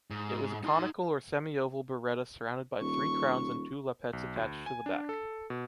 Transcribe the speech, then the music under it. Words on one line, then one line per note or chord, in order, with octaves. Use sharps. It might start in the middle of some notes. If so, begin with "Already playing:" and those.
It was a conical or semi-oval biretta surrounded by three crowns and two lappets attached to the back.
G#2
D#4 C6
D#1 C#6
B1
D2
G#5
D4
A4
B2